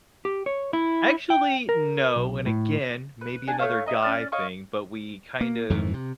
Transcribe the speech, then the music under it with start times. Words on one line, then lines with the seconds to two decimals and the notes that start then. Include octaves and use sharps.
Actually, no, and, again, maybe another guy thing, but we kind of,
0.25 G4
0.46 C#5
0.73 E4
1.30 G5
1.69 A#4
2.16 B1
2.46 A2
3.21 B4
3.47 D4 F#5 G#5
3.59 A3 C#5 F5
3.86 E4 D#5 A#5
4.02 C#4 D5 F6
4.32 C#5 D#5 F5 C#6
5.41 A#3
5.70 F2 G#2 D#3 E3
5.94 C3